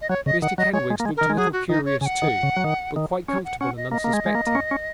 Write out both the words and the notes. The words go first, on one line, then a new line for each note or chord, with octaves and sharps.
Mr Kenwigs looked a little curious too, but quite comfortable and unsuspecting.
D#5
F#3 C#5
C#3 D#5
D#3 F#5
F#3 D#5
G#3 C#5
G#3
A#3
G#3
D#3 A#4
G#3
F#3 G#4
F#4
D#3 D#4
C#5
C#3 G#5
F#5
D#3
C#3
F#3
D#3
D#3
C#4 C#5
F#5
C#4 F#5
D#5
A#3 D#5
A#3
G#3
G#3
A#3
A#3
C#4
C#4